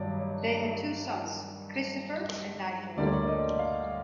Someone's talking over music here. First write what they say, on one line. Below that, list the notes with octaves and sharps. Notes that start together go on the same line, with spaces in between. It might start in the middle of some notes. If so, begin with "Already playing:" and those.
They had two sons, Christopher and Nigel.
Already playing: G2 D#3 F#3 C#5 D5
C#5
D2 D3 G3 A#3 D5
C#5
D5
D#5
F5